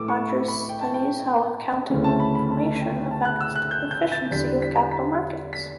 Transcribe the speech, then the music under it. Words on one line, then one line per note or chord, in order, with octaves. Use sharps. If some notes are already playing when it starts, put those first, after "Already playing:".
Rogers studies how accounting information affects the efficiency of capital markets.
Already playing: A2 E3 A3 D6 E6
C#6
B5
B5
G5
A5
G5
D2 C#3 E3 A3 C#4
A5
B5
B5
A5
G5
A5
F#6
E6
F#6
G6
G6
A6
E2 D3 G3 B6
B6
B6
B6